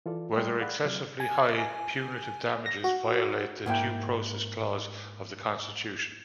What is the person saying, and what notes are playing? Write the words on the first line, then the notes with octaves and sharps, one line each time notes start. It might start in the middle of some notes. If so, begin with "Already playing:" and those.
Whether excessively high punitive damages violate the Due Process clause of the Constitution.
E3 F4 A4 D5
G3 A3 D5 G5 C6 D#6
G#4 D5 F5 F#5 B5 F#6
C3 F#3 F6
G#5
A#6
F#4
G#2 A#3 E4 F#5 G5